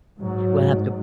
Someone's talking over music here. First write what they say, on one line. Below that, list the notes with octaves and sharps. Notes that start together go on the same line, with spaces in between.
we'll have to
G#2 F#3